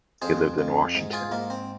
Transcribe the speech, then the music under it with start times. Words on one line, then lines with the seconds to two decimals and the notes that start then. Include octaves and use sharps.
He lived in Washington.
0.22 F2 G#4 C5
0.58 F2
0.95 G#2
1.13 F4 G#4
1.31 G#2 A#3
1.50 C4